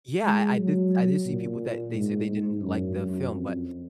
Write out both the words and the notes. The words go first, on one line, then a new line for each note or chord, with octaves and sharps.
Yeah, I I did I did see people that they said they didn't like the film, but,
G#3
F#3
A#2
G#2
G#2
F#2
F#2
F2